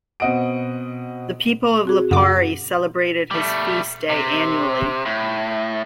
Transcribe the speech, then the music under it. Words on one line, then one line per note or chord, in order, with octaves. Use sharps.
The people of Lipari celebrated his feast day annually.
B2 C4 D#5 F#5 D7
C4 F#4 G#4
F#2 C#3 F#5 D6
G3 A3
C3
A2